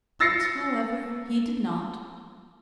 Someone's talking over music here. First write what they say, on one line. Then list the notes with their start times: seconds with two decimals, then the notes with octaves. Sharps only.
But, however, he did not.
0.20 E6 A6 A#6 C7 C#7